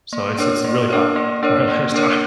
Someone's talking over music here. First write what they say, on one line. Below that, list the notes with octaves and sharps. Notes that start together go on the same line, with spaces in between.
so, it's it's really hot where I live, so
A#3
D4 A#4 C#5
A#3
D4 A#4 C#5
A#3
D4 A#4 C#5
A#3
D4 A#4 C#5